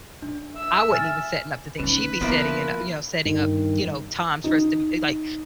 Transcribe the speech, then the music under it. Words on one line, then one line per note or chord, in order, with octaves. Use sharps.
I wasn't even setting up the thing. She'd be setting it u you know, setting up, you know, times for us to eh, like,
D4
E5 E6
G#5 F6 A6
D#3 C#4 B4
F3 A#3 B3 E4
G2 D#3
D#4